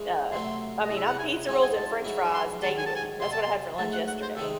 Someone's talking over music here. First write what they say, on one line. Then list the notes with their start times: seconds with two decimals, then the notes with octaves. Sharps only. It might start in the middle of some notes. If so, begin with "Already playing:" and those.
uh I mean, I'm pizza rolls and French fries daily. That's what I had for lunch yesterday.
Already playing: E3 G#3 C#4
0.32 C3 F#3 A3 C4 C6
0.84 D#5
0.89 E2 C3 E3
0.96 E5
1.06 F#5
1.19 G#5
1.47 G#2 E3 C4 D#4 F#4 G#5
1.62 G#5
1.76 A5
2.05 G#2 F#3 C#4 E4
2.34 C6
2.63 G#2 D#3 F#3 A5
2.78 G#5
2.86 A5
2.95 G#5
3.20 C3 F#3 C4 C6
3.32 A5
3.42 C6
3.78 G#2 F#3 A3 A5
3.93 F#5
4.07 F#5
4.22 C5
4.36 C3 D#3 G#3 D#4 A4